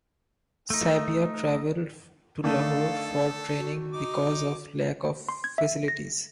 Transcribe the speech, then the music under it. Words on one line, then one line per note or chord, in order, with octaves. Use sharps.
Sabia travelled to Lahore for training because of lack of facilities.
A3 D#4
D3 D#3 A3 A4 F5
F#4
D#4 D6
C6
G#6
E5
A#6